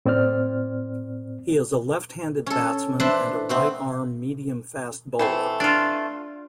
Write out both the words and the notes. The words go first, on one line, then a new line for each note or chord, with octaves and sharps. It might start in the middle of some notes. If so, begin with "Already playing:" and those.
He is a left-handed batsman and a right-arm medium-fast bowler.
A2 C4 C5 D5 F6
C#4 A4
D4 B4 C5 D5 E5
A3 B3 C4
E3 A3 C4
D4 F4